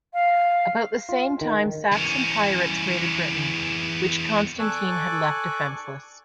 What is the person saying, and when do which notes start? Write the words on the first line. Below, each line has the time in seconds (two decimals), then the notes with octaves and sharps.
About the same time Saxon pirates raided Britain, which Constantine had left defenseless.
0.13 F5
1.09 F4
1.41 D#3
1.92 E2 C#4
4.59 A4 D5 G#5 C#6 D6 F#6